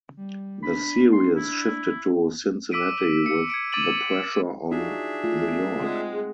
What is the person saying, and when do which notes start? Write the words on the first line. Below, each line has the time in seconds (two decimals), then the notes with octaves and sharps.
The series shifted to Cincinnati with the pressure on New York.
0.17 G3
0.63 D4 B5
1.13 C6
1.36 E4
2.71 D6 E6 B6 D7 D#7
3.26 C#7
3.50 G#6 C#7 D7
3.72 D6 A6 D7 D#7 F#7
4.71 D4 D#4 F4 F#4 G#4 E5
5.24 A3 F4
5.82 G#3 C4 F#5